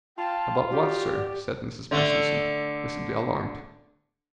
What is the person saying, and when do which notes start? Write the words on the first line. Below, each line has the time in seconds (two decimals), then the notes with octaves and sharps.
"About what, sir?" said Mrs. Bensusan, visibly alarmed.
0.18 F4 G5 A5
0.71 F#4 G4 D5
1.91 D3 A3